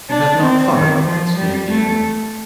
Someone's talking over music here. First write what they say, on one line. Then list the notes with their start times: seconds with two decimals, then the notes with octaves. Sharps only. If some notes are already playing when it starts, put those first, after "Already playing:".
'You have not thought about it!' sneered the invalid.
0.10 D4
0.41 C4
0.74 D#3
1.05 F3
1.37 G3
1.70 A3